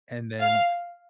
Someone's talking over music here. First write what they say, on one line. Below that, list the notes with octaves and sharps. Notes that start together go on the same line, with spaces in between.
and then
F5